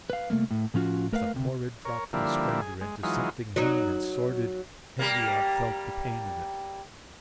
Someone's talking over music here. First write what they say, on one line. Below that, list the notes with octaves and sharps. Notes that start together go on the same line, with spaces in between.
With a horrid drop from splendour into something mean and sordid, Henriot felt the pain of it.
B4 F5
C2 B2 A3 A#3
A2
A2 F3 C#4 F4 F#4
A3 A#4 B4 D5 F5
D2 C3
A#4 C#5
D3 F3 G3 A#3 E4
G#4
G#3
E3 F#3 G#3 D#4 F4
F#3 D#4
G3 A#3